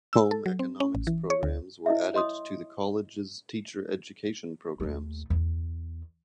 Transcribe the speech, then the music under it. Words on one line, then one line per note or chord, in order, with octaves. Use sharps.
Home economics programs were added to the college's teacher education programs.
E6
A4
F#3
C4
C#4
A1
E3
C#5
D2
E4 D#5 E5
C#5 D#5 C6 D#6
D#2 A3
E2